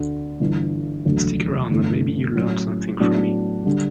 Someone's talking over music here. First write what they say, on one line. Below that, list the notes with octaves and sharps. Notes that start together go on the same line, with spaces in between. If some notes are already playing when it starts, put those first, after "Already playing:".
Stick around and maybe you'll learn something from me.
Already playing: D2 D3 A3
G1 G2 E3
E1 D2 D3 F#3
G1 G2 E3 A3
A2 F#3 C#4 E4
A2 F#3 B3 D4 F#4
D3 G3